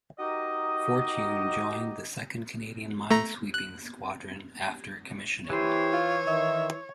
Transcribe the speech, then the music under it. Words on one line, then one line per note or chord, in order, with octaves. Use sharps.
"Fortune" joined the Second Canadian Minesweeping Squadron after commissioning.
D#4 F#4 G4 A#4 D#5
A3 A#5
F#6
E3 E4 G4 C5 C#5
F4
D#3 E5